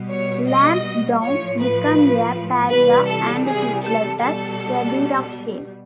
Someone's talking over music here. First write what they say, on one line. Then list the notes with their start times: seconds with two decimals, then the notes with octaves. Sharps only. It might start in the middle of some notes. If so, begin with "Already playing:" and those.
Lansdowne became a pariah and his letter "a deed of shame".
Already playing: B2 G3
0.11 C#5
0.48 D#5
1.22 A2 F3 C#5
1.59 B4
2.72 C3 E3 G3 B4
3.10 A4
3.47 G#4
3.85 A4
4.22 B2 G3 A4